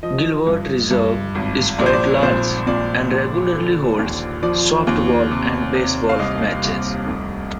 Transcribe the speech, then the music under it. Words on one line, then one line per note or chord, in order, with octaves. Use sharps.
Gilbert Reserve is quite large, and regularly holds softball and baseball matches.
F3 D#5
G2
G2
G#1
A#1 D5
C5
D5
A#2 C5
A#2 D5
A#1
D3
D#2
F3 D5
D#2
C3
C3
F5
C2 D#5
C2
F1